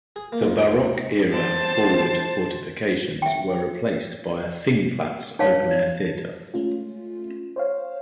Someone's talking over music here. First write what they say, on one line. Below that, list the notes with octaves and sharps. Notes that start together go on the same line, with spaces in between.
The Baroque-era forward fortifications were replaced by a Thingplatz open-air theatre.
G#4
A#3
F2
G#4
D#2
C5 A5
E5 G5
D#4 C#5 D#5 F5 A5
G#3 A3 C#4 F4
C5 C#5 F5